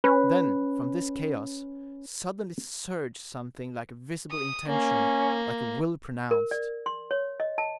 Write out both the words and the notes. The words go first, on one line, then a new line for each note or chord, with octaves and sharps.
Then, from this chaos, suddenly surged something like a visible intention, like a will pronounced.
C#4 B4
D#6
A#3 C#4
A#4
D5
C6
C#5
D#5
A5